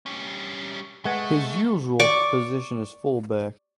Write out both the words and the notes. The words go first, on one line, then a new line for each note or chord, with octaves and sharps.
His usual position is full back.
G3 C#4
G#3 A3 B4 F#5 G#5
D5 C#6 D6